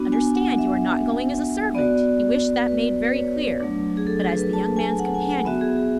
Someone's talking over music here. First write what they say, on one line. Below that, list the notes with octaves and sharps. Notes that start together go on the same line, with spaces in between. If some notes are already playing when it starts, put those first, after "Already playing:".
Understand, you are not going as a servant--he wished that made very clear--but as the young man's companion.
Already playing: B3 D4 F#4
G#5
F#5
E5
B3 F#4 D5
B4
B4
C#5
F#3 A3 D4
G#4
A4
G#4
B4
A5
G#5
F#5
G#5
F#5
B3 F#4 E5
G#4
G#4